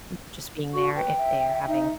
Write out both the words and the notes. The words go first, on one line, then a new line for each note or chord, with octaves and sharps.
n just being there if they're having,
F#4 C#6
B4 G5
E5
D#4